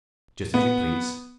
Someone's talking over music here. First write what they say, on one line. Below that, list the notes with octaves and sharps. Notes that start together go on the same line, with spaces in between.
"Just as you please."
B3